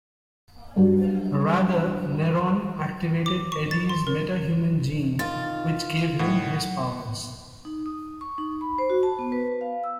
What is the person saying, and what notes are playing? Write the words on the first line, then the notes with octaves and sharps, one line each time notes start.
Rather, Neron activated Eddie's metahuman gene which gave him his powers.
G2 F#3 G3 F#4
D6
C#6
A6
C6
A#4
D#3 F4 A6
A2 D#3 F#5
D#4
D#6
C#6
D#4
B5
C5
F#4
A5
B3
B4
F5
E6